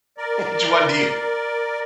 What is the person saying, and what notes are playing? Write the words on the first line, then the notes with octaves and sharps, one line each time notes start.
Which one do you
A#4 D5